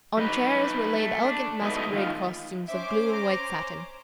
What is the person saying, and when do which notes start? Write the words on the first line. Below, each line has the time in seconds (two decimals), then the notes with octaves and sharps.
On chairs were laid elegant masquerade costumes of blue and white satin.
0.17 G3 D#4 B4
0.98 A3
1.23 D4
1.61 G#2 B2 A3 B4 D#5
1.93 D#3 F4
2.68 C#4 C5 E5 D6
3.13 A#5